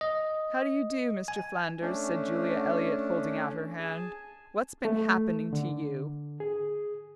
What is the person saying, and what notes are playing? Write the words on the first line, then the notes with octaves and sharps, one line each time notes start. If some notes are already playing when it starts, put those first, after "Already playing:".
"How d'you do, Mr. Flanders," said Julia Eliot, holding out her hand. "What's been happening to you?"
D#5
G#5
A3 C#4 D4
G#4 G#5 A5
A3
D3
G#4